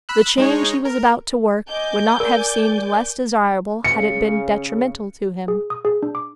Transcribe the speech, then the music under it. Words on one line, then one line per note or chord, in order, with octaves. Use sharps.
The change he was about to work would not have seemed less desirable had it been detrimental to him.
B5 E6 F#6
G#3 D#4 C#5
A#4
D#5 G#5 D6 G6
A#4 D5
C#3 C#7
G#4
D#6
G#4
D4
D6